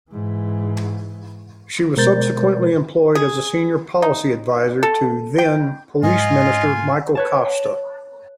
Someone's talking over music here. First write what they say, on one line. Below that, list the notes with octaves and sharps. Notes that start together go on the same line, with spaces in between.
She was subsequently employed as a senior policy adviser to then-Police Minister Michael Costa.
G#2 E3
B2 G#3 A#4 C5 G6 A6
G#4
D#4
A4
G5
G#2 F4 D#5 G#5
B4 C#5 A5